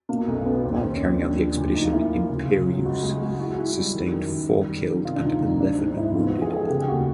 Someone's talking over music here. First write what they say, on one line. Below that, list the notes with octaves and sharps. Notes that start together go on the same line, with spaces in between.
While carrying out the expedition "Imperieuse" sustained four killed and eleven wounded.
B2 A#3
B1 A3
B2 B3
B3
D#2 C4
D#2
C#4
D#2
F3 D4
F3
D2
F3 D#4
F4
A#3 E4
F3 F4
C#3
C#3
F#3
C#2 F#4
G#3 G#4
G#3 F#4
E4 F#4
E4
G3
D#3
F#2
D#3
G3
G3
D#3
C3 F4
D4
D2 D#4
D2 D#4
C4 D4
G#2 D#4
D#4
G#2 E4
E2 F4
F3 F#4
G#4
F3 A4
G#4
C#3 G4
D#2 F#4